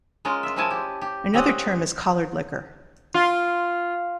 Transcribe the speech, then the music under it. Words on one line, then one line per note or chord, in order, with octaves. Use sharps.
Another term is collard liquor.
G#3 C#4 F4 A#4
F4 E5
F3 G#3 C#4 E4 G#5 A5
G4
G4
G3 C4 C#4 C#5 D#5 F#5
F4